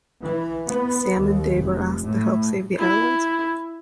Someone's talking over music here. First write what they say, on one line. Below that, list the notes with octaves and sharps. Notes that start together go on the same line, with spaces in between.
Sam and Dave are asked to help save the island.
E3
B3
D#2
F1
A2
E4